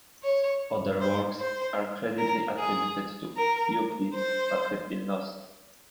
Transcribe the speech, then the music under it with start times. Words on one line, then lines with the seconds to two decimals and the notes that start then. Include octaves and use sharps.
Other works are credibly attributed to Euclid, but have been lost.
0.23 C#5
1.01 C5
1.40 C5
2.18 A#4
2.58 G#4
3.37 A#4
4.15 C5